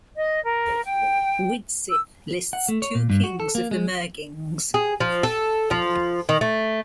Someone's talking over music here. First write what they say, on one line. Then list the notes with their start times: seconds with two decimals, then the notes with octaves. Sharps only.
Widsith lists two kings of the Myrgings.
0.17 D#5
0.43 A#4
0.84 G5
1.90 E6
2.53 F#5
2.69 A3
2.82 C#5
2.95 A#2
3.10 G2
3.24 F#4
3.40 A4
3.55 A#3
3.71 G#3
4.74 G#4
5.00 F3
5.23 A4
5.71 F3
6.29 D#3
6.41 A3